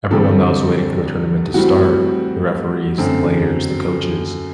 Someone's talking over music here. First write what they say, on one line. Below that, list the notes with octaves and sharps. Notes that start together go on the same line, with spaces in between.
everyone that was waiting for the tournament to start, the referees, the players, the coaches.
E2 D3 G3 C4 A4
A2 E3 G3 C4 F#4
F#2 D3 A3 C4